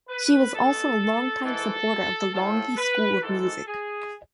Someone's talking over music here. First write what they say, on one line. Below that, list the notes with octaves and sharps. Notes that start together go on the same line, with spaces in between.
She was also a long-time supporter of the Longy School of Music.
B4
B2 A4
G#2 E3 A4
A2 F3 A4
B4
G#2 E3 A4
G#4